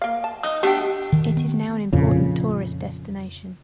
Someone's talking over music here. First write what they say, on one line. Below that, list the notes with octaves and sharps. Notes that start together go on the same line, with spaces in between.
It is now an important tourist destination.
A#3 F5
A5
D#4 D#6
A3 B3 D4 G4 G5
D#3
B3
F2 A#2 C#3